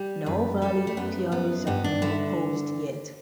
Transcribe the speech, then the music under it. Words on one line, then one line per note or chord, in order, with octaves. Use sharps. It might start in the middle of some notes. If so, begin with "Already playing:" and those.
No valid theories have been proposed yet.
Already playing: G3
F#2 B4
G3 A4
A3
F#2 B3
F#2 B3
G2 B3
D4
D3 E4